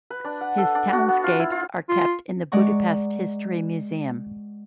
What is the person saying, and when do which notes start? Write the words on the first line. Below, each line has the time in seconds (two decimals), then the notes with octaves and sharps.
His townscapes are kept in the Budapest History Museum.
0.10 B4
0.25 D4
0.41 F#5
0.58 A4
0.75 D4
0.93 F#4
1.08 B3
1.24 F4
1.40 E4
1.52 F4
1.89 F4
2.52 G#3 D5 F#5 A#5 C#6